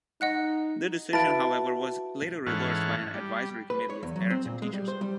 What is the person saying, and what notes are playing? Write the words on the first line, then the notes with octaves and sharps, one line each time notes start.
The decision, however, was later reversed by an advisory committee of parents and teachers.
D#4 D#5 F#5 F#6
E4 F#4 B4 F5 A5 A6 D7
G#2 E3 C#4 A4 F#5 F6
G3
B4
C#5
E2
F#3
C4
A#2
G#3
G3
C5
G3